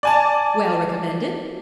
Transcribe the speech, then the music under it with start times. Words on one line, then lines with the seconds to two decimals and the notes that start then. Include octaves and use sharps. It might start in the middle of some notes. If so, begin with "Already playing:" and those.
"Well recommended?"
0.03 D5 G#5 A5